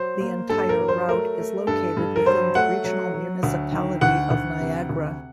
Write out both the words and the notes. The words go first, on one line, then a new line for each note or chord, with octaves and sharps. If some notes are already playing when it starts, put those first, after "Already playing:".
The entire route is located within the Regional Municipality of Niagara.
Already playing: F#3 C5
A#3
G2 A4
A#4
F#3
C5
A3 A#4
A3
G2 A4
G2
A#4
F#3 C5
A3 F#5
F#3
F#3
D2
D#3
D2 F#5
D2
C3
D2